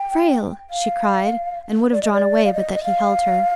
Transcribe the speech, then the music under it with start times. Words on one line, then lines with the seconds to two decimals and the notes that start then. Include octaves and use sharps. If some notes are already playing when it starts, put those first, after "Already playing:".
"Frale!" she cried, and would have drawn away but that he held her.
Already playing: G5
0.70 F5
1.93 D5
2.02 D#5
2.13 D5
2.45 F5
2.54 D#5
2.75 D#5
2.84 F5